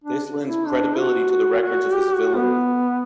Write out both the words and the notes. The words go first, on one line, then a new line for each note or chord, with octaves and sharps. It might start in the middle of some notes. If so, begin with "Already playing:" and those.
This lends credibility to the records of his villainy.
D4
E4
D4
F#4
F#4
F#4
G4
F#4
B3